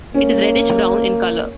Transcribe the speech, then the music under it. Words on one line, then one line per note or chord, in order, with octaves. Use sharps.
It is reddish-brown in color.
A#3 C#4